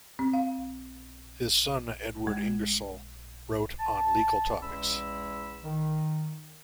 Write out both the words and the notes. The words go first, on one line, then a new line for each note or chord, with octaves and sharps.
His son Edward Ingersoll wrote on legal topics.
C4
F5
G#3
A5
E2 G#3 C#4 B5 E6
D#3